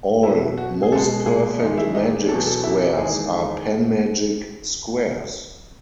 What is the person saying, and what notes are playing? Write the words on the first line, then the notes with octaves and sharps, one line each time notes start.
All most-perfect magic squares are panmagic squares.
B2 F#3 E4
F#4
G#4
B2 G#3 A4
G#4
E2 D#3 G#3 D#4
E4
D#4
E2 B2 F#3 A4
A4
E4
E2 D#3 G#3 G#4